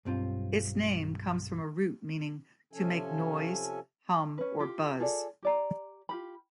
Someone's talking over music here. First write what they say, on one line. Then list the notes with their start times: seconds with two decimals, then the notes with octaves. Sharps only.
Its name comes from a root meaning "to make noise, hum or buzz".
0.05 B1 G2 C4 F4
2.73 C3 F3 C#4 A4 G#5
4.38 C#4 B4
4.59 F4 G4
4.99 F4 G#4 A4 D5
5.43 G4 D5 A#5
6.09 F4 G4 B5